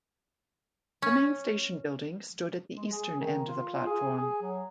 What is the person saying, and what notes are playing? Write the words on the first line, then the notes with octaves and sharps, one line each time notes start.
The main station building stood at the eastern end of the platform.
C#4
G#3
G#4
D#3
F4
F4
G#4
G#4
F#3